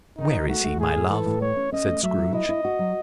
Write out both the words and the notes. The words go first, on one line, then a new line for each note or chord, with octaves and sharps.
"Where is he, my love?" said Scrooge.
D#3 D#4
D#3
A3 F#4
A3
A2 G#4
A2
E3 A4
A2
A3 C#5
C#4
C#4 D#5
A3
F#3 E5
F#3
E4 D#5
E4
F#4
F#3